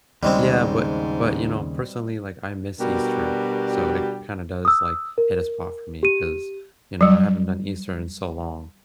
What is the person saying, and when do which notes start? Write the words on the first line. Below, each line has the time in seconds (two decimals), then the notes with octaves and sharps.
Yeah, but but, you know, personally, like, I miss Easter, so it kinda does, like, hit a spot for me 'cause, you know, I haven't done Easter in so long,
0.23 D#2 G#2 C#3 G3 G#3 C4
2.79 B2 G3 D4 F#4 G4 A#4
4.65 D#6 E6
5.18 A#4
6.03 G4 D#7
7.01 F#3 G3